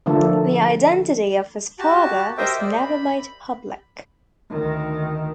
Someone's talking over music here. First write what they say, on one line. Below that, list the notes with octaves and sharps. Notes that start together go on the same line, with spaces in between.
The identity of his father was never made public.
D3 F3 A3 A#3 A4
F#4 G4 A5
G4 A#4 C5 D#5 E5 G5
D5
B5
D2 D#3